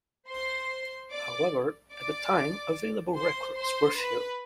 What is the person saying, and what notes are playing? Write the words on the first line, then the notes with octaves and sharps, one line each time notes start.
However, at that time available records were few.
C5 C6
D5 D6
D5 D6
C5 C6
C5 C6
B4 B5